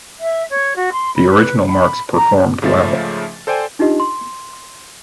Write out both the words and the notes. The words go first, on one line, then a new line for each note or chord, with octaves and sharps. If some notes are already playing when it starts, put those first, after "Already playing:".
The original marks performed well.
E5
C#5
F#4
C6
B5
B4
B5
A#5
G#2 C#3 F3 A3 E5 A6
A4 C5 D5 G5 G#5
D4 D#4 F4 G4 D#5
C6